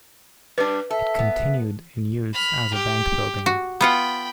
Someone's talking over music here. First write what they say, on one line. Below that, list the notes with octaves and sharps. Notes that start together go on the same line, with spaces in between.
It continued in use as a bank building.
G3 D4 B4
A4 E5
B3
B5 F6
G4
F#4
B3 F4 F#5 G5 B5